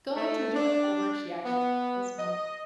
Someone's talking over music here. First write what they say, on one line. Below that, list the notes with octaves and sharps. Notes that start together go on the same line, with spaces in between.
go into a different kind of work she actually likes more.
A3
D4
B3
D#5